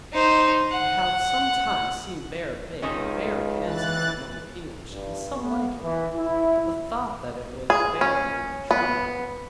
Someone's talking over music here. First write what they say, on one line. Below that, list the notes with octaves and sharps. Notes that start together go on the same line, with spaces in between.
I have sometime seen bear baked very handsomely among the English, and some like it, but the thought that it was bear made me tremble.
D#4 C5
F#5
C#2 C3 D#3 C#4
E3 F#6 A6
G2
B3
E3
E4
G#4
C#4
B3